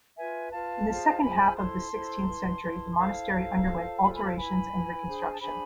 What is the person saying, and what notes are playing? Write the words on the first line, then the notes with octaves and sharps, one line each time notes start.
In the second half of the sixteenth century the monastery underwent alterations and reconstruction.
F4 B4 E5 G#5
F4 B4 F5 A5
F4 G#4 C5
F4 G#4 C5 G#5 B5
E4 A4 C5 A5 C6
E4 A4 C5
E4 B4
E4 B4
E4 A4 C5 F5 A5
E4 A4 C5
F4 A4 C5
F4 A4 C5 G#5 B5
A5
G#5 B5
F5 A5
E4 B4 G#5 B5
E4 B4
D4 G#4 C5
A5
D4 G#4 C5 G#5 B5